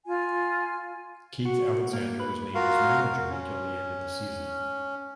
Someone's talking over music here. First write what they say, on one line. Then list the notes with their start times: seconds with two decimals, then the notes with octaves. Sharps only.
Keith Alexander was named as manager until the end of the season.
0.05 F4 G#5
1.45 F#4
1.93 A#3
2.20 B4
2.55 F4 F#4 A#4 F5
3.31 C#4